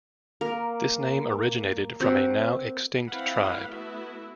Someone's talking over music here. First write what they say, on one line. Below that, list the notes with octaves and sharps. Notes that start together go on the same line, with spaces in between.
This name originated from a now extinct tribe.
A#3 A#4
C4 F#4
E3 C4 E4 F5 F#5 B5
A3 B3 E4 F#4 E5